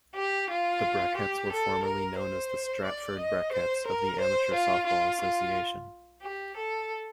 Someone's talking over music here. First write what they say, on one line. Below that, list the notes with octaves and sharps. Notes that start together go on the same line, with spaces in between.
The Brakettes were formerly known as the Stratford Brakettes of the Amateur Softball Association.
G4
F4
G4
A4
A#4
C5
D5
D#5
C5
A#4
C5
F4
F4
F4
G4
A4